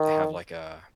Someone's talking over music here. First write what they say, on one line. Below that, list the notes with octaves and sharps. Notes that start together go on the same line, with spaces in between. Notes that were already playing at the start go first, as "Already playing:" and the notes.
to have, like a
Already playing: D#3